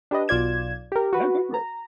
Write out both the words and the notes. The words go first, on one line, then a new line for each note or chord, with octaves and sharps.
No, go for it.
D4 G4 B4 D#5
B1 F4 D5 G#6 E7
G4 A#4
F#4 B4
A#5